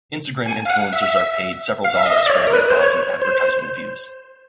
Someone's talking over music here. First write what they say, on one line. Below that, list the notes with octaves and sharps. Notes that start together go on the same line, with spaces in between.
Instagram influencers are paid several dollars for every thousand advertisement views.
G#5
F5
F#5
E5
F5
E5
D#5
E5
D5
C#5
A#4
B4
C5
C#5
C5